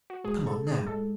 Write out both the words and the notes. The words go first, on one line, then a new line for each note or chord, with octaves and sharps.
"Come on--now."
F#4
A2 G#3 G#4
A4
G#4
A2 G#3 A4